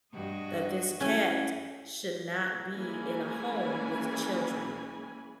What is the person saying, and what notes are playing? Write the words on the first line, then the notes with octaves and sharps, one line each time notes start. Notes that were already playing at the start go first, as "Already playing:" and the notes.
that this cat should not be in a home with children
G2 F#4 D#5
C#4 E4 G#5
E3 G#3 A#3 C#4 G#5 B5